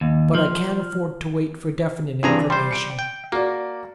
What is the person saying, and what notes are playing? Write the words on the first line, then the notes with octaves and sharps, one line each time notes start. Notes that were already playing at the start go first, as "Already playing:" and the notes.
But I can afford to wait for definite information.
D#2
F3
G2 E3 C4 D4 G#4 A#5
G3 C5 C6
C#7 D7
G5
A#3 F#4 D5